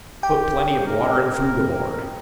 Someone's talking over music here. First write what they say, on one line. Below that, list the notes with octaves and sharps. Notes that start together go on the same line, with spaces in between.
"Put plenty of water and food aboard."
G4 G5
A#4